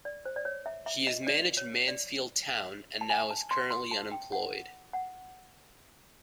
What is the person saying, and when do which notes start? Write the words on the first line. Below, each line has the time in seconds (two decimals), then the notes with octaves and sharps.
He has managed Mansfield Town, and now is currently unemployed.
0.05 D5
0.25 C5
0.36 D5
0.45 C#5
0.66 E5
0.86 E5
1.07 D#5
1.27 D5
1.57 C#5
1.88 D5
3.01 A5
3.10 G#5
3.31 A5
3.51 C6
3.71 C6
3.91 A5
4.12 G5
4.32 F#5
4.93 F#5